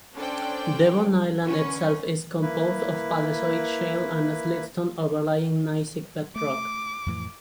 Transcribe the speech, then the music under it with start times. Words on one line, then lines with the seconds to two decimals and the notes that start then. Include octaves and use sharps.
Devon Island itself is composed of Paleozoic shale and siltstone overlying gneissic bedrock.
0.14 C#4 D4 A4 C5 D5 G5
1.44 D3 C#4 B4
2.41 A#3 E4 B4
6.36 A3 D6
7.06 F2 A2 E3